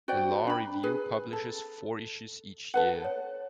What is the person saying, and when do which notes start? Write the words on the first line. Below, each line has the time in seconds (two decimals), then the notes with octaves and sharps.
The law review publishes four issues each year.
0.08 F#4 C5 D5 G5
0.47 D4 B5
0.83 G#4 B4
1.33 A4
2.74 A4 B4 F#5
3.05 C#5